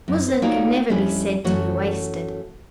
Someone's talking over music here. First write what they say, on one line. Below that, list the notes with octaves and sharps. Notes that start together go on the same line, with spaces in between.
Muslin can never be said to be wasted.
F#2
C5
A#3 D#4 F4 F#4 C#5 D5
F2 G3 C#4 D4 E4
F#2 E3 A3 F#4 C#5